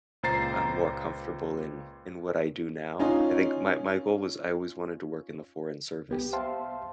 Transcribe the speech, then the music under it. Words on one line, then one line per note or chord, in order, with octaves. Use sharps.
I'm more comfortable in in what I do now. I think my my goal was I always wanted to work in the foreign service.
C#2 A#2 C5 A#5 A6 C7
C#4 D#4 F4
C2 B3 G4
C5 E5 F5 G5 A5 C6